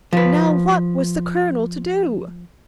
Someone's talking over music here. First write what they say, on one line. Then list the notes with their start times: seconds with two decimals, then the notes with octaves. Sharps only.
Now what was the colonel to do?
0.13 F3 B4